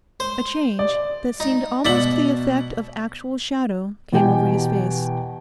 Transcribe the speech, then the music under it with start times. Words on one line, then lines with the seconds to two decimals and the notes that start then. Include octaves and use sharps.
A change, that seemed almost the effect of actual shadow, came over his face.
0.20 C5
0.79 D5
1.40 D#4
1.85 B2 D5 E5 F#5 F#7
4.13 E2 B2 G4 G5 G#5